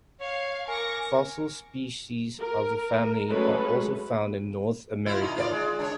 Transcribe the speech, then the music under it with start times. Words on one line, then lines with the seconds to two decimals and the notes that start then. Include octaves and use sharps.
Fossil species of the family are also found in North America.
0.20 C#5 F5
0.68 A#4 G#5 C#6 D6 A#6
2.41 A#4
3.29 F#3 G#3 A3 C#4 A4 B4
5.06 E4 F4
5.21 A#2 D#4
5.36 F4 D5
5.51 G#3
5.79 D4 A4 C#5